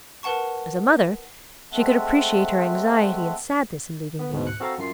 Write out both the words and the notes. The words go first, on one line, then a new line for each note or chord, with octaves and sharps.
As a mother, she could appreciate her anxiety and sadness in leaving me.
A#4 B4 F#5 A5 C#6
G#3 A3 C4 E5 F#5 A5
B3
D2 G#2 B2
F#6 C#7
C4 F#4 A4 F5 A5 A#5
F#2 F4 C7